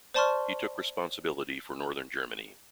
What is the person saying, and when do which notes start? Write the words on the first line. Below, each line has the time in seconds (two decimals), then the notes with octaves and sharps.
He took responsibility for Northern Germany.
0.14 C5 D5 A5 C6 C#6 F6